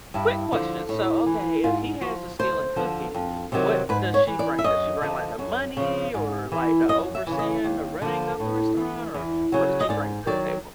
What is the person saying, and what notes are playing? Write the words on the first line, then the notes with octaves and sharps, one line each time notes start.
Quick question. So, okay, if he has a skill in cooking, what does she bring? Does she bring, like, the money or, like, the overseeing the running of the restaurant, or what does she bring to the table?
G2 E4
D3 F3
A2
E3
G#2 F4
F3 F#4
D2 C5
D3 F3
F2
C3 D#3 F#3
G#2 B4
C#5
E3
D5
E5
F#2 D#5
D3 F3
F#2
C#3 F3
G#2
E3
F#2 D#5
E5
C#3 E3
D#5
D#2
D3 F3
A2
E3
E2
C#3 F#3
D#5
G#2 D5
D#3 F#3 D5